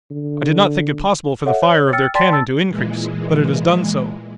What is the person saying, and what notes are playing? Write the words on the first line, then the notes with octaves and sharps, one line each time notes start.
I did not think it possible for the fire of their cannon to increase, but it has done so.
D3
A4 C#5 E5 F#5
C#5
G5 E6 F6 A6 C#7
D5 G5 A5 C6 A6 B6
A5 E6 A6
A#2 E3 G#3